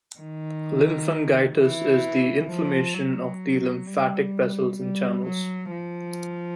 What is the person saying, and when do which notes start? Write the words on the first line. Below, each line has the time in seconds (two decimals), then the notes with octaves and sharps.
Lymphangitis is the inflammation of the lymphatic vessels and channels.
0.19 D#3
1.57 E3
2.48 F3
2.94 F#3
3.87 G3
4.79 G3
5.25 F#3
5.71 F3